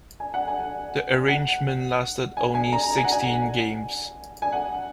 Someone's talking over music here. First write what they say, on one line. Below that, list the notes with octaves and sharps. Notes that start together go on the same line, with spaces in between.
The arrangement lasted only sixteen games.
G#5
F#5
G#5
F#5
G#5
G#5
A#5
A#5
G#5
F#5
G#5
G#5
F#5